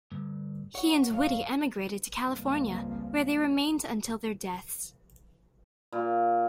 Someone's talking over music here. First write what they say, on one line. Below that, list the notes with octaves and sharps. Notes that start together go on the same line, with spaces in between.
He and Whitty emigrated to California, where they remained until their deaths.
D2 G2
C#5 F#5
F#2 F5
C#2 G2 F3 G#3 A#3 C4
A#2